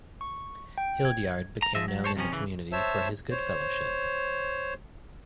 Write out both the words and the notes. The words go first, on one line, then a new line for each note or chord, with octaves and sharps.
Hildyard became known in the community for his good fellowship.
C#6
G5
G#6
A#5
F3 G#3 D#5 E5
F#3
C5 C#5 A5
F2 C3 F3 C#4
C#3 E3
C5 C#5 E5 A5 E6
C5 C#5